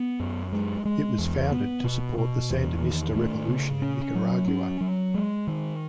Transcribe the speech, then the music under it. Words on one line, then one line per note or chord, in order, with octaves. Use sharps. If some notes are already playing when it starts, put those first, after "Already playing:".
It was founded to support the Sandinista revolution in Nicaragua.
Already playing: B3
F#2
G#3
G#3
E2
B3
B2
B2
E2
D#3
A3
C#3
C#4
F#3
C#4
F#3
G#3
D#3